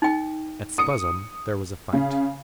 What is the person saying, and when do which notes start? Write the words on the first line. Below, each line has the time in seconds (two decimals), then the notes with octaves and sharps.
At Spuzzum there was a fight.
0.02 D#4 G5
0.78 D#6 C#7
1.93 C#3